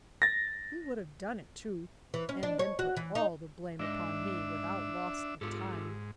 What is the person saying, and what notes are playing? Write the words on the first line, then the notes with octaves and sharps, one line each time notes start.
He would have done it, too, and then put all the blame upon me, without loss of time.
A6 A#6
E3
C#4
D4
C#5
F#4
E3
D#4
G#2 D4 D#5 E5
G#2 F4 G4 A4